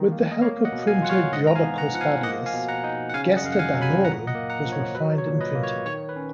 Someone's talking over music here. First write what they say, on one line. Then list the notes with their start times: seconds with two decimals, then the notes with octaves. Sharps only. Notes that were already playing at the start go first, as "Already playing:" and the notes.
With the help of printer Jodocus Badius, "Gesta Danorum" was refined and printed.
Already playing: D#3 G#3 D#4
0.12 A#3
0.31 D#5
0.42 A#3 C#5 F5
0.65 D#5 F#5
0.72 B2
0.87 F5 G#5
1.02 F4 F#5
1.10 C#5 F5
1.32 G#2 D#5 F#5
1.47 A#5
1.56 F5 G#5
1.63 B3
1.78 F#5 A#5
1.94 F3 F#5
2.01 F5 G#5
2.23 A#3 D#5 F#5
2.46 F5 G#5
2.54 B2
2.68 F#5 A#5
2.84 D#4
3.10 F#5
3.14 C#3 F5 G#5
3.36 D#5 F#5
3.44 F#2 F5
3.52 F#5
3.59 F5 G#5
3.74 F#3
3.82 G#5 B5
4.04 A#2 F#5 A#5
4.27 D#5 F#5
4.35 A#3
4.50 F#5 A#5
4.65 F3
4.72 C#5
4.95 F#3 B4
5.18 C#5
5.25 A#2
5.41 B4 D#5
5.55 A#3
5.63 C#5
5.86 D#3 C#5
6.09 B4
6.16 C#4